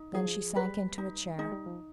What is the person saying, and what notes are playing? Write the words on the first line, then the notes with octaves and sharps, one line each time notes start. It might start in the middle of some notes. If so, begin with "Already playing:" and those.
Then she sank into a chair.
Already playing: D#4
F3 G#4
G3 B4
D#4
G#3 D#4
G3
F3